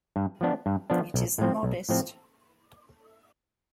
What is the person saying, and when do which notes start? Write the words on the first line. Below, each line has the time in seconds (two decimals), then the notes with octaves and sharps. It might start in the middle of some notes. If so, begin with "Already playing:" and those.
It isn’t modest.
0.16 G2
0.41 F3 B3 D4
0.66 G2
0.90 F3 B3 D4
1.14 B1
1.38 A2 F3 C4
1.63 B1
1.89 A2 F3 C4